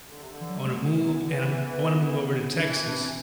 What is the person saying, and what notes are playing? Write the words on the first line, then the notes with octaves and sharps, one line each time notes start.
I wanna move and I'm I wanna move over to Texas,
D3
C3
D3
E3
F#3
G3
A3
F#3 B3
E3
D3
E3
E3 D4
D4
C4